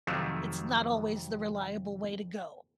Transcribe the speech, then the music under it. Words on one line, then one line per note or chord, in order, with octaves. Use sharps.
it's not always the reliable way to go.
F2 C3 D#3 F3 F#3 A3